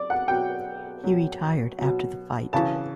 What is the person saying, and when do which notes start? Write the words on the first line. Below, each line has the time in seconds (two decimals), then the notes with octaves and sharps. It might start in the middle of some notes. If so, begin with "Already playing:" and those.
He retired after the fight.
Already playing: F#3 D5
0.10 F#5
0.28 B2 F#3 G5
1.04 B2 F#3
1.79 B2 F#3
2.53 C#3 E3 A5